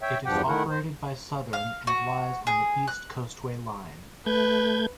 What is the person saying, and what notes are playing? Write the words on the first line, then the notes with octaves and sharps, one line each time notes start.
It is operated by Southern and lies on the East Coastway Line.
C#5 E5 G5
E2 G2 F3 G4 F#5 G5
D#3 A3 E4 A#4 F#5
C5
F5
F#4
G#4
F#6
A3 B4 G6 G#6